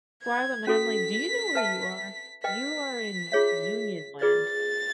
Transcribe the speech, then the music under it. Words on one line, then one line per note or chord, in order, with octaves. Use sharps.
fly them, and I'm, like, "Do you know where you are? You are in Union land."
G#6
C#4 F#4 A4 B6
B4 E5 A5
B4 D#5 G5 B6
F4 G#4 C#5 E5
F4 G#4 B4 D5 A6